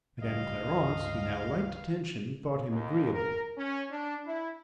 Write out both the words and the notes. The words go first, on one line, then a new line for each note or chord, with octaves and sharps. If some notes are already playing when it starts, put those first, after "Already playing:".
Madame Clarence, who now liked attention, thought him agreeable.
C#2 G2 D#5 F5
D#2
A#4
C#4
D4
E4